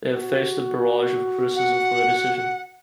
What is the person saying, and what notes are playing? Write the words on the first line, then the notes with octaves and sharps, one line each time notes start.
They have faced a barrage of criticism for their decision.
F#4
F#5